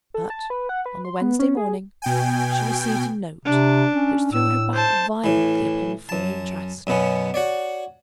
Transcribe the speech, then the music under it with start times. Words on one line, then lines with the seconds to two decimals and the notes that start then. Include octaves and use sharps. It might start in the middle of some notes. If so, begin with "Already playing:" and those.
But on the Wednesday morning she received a note which threw her back violently upon the Fawn interest.
0.14 A4
0.30 A5
0.50 B4
0.69 F#5
0.86 B4
1.05 C6
1.21 B3
1.39 C#4
1.57 G#4
2.02 B2 G5 G#5
3.45 C3 D4
3.92 C#4
4.32 A2 E6
4.74 C5 A5
5.24 A2 E3
6.09 F#2 A5
6.87 F#2 B2 B3 C#4
7.34 F#4 C#5 D5